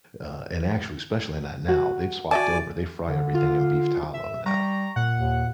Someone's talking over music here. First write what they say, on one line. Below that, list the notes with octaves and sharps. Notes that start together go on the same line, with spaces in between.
Uh, and, actually, especially not now, they've swapped over, they fry everything in beef tallow, now.
F#4
F#4 D5 E5 G#5 A5 D6
D3
F4
E5
G3 A#5 C#6
A#2 F#5
D#2